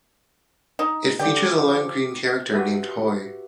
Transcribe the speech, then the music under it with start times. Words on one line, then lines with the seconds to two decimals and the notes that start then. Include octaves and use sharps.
It features a lime green character named Hoi.
0.79 D#4
1.19 D3 G4
1.51 F3
2.54 F#4 G4 B4 E5